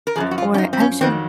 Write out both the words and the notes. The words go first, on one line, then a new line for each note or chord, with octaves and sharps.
or actually
A#4
F#2 C#3 F3 G#4
F#4
F4
C#4
D#4
C4
C#4
F2 D#3 F#3 C4